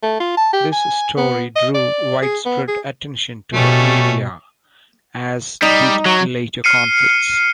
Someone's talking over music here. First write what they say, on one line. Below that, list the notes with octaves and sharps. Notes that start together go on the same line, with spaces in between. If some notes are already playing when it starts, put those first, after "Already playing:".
This story drew widespread attention to the area, as did later conflicts.
A3
F4
A5
G4
G#5
B3
D#5
D5
G#4
B3
G#4
B2 G3 A3 C#4
G3 D#4
F#3
F6 C7 C#7 D#7